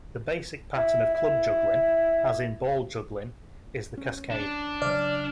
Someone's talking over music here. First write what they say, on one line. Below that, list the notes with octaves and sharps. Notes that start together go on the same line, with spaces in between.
The basic pattern of club juggling, as in ball juggling, is the cascade.
E4
E4
C#4
D4
C#3 F#3 D5 F6